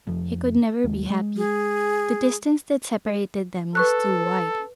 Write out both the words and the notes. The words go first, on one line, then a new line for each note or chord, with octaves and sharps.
He could never be happy; the distance that separated them was too wide!
F1 F2 F3
A#1 D#2 G#3
G#3
G#4
A4 B4 C#6 F#6